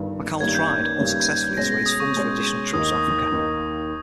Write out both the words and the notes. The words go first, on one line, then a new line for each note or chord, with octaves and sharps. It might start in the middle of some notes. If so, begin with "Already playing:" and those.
Mackal tried, unsuccessfully, to raise funds for additional trips to Africa.
Already playing: G1 G2 D#3
G2 D#3 G3 A#3 C#4 G#6
G6
G#6
G#6
G2 D#3 G3 A#3 C#4
B2 G#3 C#4 A#6
A#6
D#6
C#6
B2 G#3 C#4
D#2 D#3 A#3 D#4 D#6
D#6
D#2 D#3 A#3 D#4